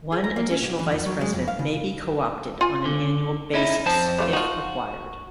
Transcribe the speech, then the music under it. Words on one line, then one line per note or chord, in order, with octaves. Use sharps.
One additional Vice-President may be co-opted on an annual basis if required.
G#4
A#5
A#3
C#4
B1
E3
F2
F#3
G#3
F2
F5
C#3
F4 G#5
D3
C#4 D#4 E4
F2 C5 A5
G3 A3 F4
D#4 F4 F#4